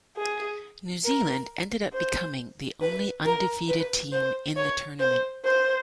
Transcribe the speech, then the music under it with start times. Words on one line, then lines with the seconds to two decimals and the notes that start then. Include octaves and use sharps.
New Zealand ended up becoming the only 'undefeated' team in the tournament.
0.16 G#4
1.05 A#4
1.93 C5
2.81 B4
3.25 A#4
3.69 B4
4.12 C5
4.57 C#5
5.00 C5
5.45 C5